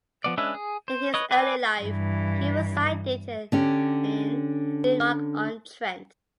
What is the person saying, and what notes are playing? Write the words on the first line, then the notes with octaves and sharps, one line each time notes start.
In his early life, he resided in Newark-on-Trent.
F3 B3 D5
G#3 C#4 D4 B4 E5
G#4
C5
B4 C#5 D#5
B4 D5 G#5
G2 E3
D3 C#4 G4